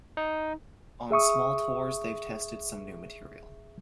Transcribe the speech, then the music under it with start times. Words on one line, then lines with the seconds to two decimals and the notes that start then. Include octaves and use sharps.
On small tours they've tested some new material.
0.17 D#4
1.11 G#4 E5 C#6 D#6